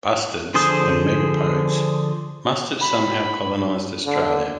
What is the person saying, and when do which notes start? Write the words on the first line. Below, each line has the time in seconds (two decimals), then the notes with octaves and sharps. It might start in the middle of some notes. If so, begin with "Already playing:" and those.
Bustards and megapodes must have somehow colonized Australia.
0.54 D3 F3 G#4 C5 D#6
2.82 B5
4.06 D3